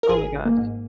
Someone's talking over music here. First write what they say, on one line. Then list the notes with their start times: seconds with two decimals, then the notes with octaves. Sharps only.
Oh my gosh.
0.03 A#4
0.09 G#1 G#4
0.33 G#1
0.45 A#3
0.57 G#2